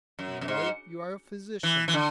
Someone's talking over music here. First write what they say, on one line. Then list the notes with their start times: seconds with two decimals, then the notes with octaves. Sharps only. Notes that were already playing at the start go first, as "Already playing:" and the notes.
No, you are a physician!
0.19 F#2
0.41 F#2
0.48 G#2
1.63 E3
1.88 E3
1.93 D3